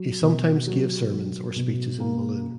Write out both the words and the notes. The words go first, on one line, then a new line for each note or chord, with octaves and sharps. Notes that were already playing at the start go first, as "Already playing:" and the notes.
He sometimes gave sermons or speeches in Walloon.
Already playing: F#3
B2
F#3
F#3
B2
A#3